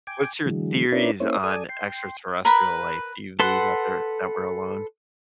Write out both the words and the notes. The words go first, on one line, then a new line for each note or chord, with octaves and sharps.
What's your theories on extraterrestrial life? Do you believe that they're that we're alone?
G5 G#5 D6
D3 E3 F#3 G#3
C#4 D4 E4 A#4 B4 D5
A#3 C#4 E4 C5 C#5
A4 D5 G#5 D#6
G5 C6
A#4 B4 B5
A4 B4 F#5 C6